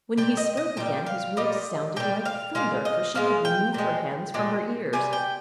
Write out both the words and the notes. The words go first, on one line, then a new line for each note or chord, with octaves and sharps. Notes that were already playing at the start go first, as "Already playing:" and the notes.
When he spoke again, his words sounded like thunder, for she had removed her hands from her ears.
A#2 G3 G5
D#5
D#5
A#2 G3 G5
F5
A#2 G3 D#5
A#2 G3 G5
F5
A#2 G#3 F5
D#5
A#2 G#3 F5
G5
A#2 G#3
A#2 G#3
C3 G3 G#5
G5